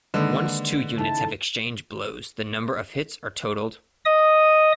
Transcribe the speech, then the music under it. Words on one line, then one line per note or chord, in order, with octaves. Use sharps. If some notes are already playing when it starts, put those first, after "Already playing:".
Once two units have exchanged blows the number of hits are totalled.
D3 D#3 G#3 A#3 B4 D#5
C#3 A3 D#4 E4 A5
D#5 D#6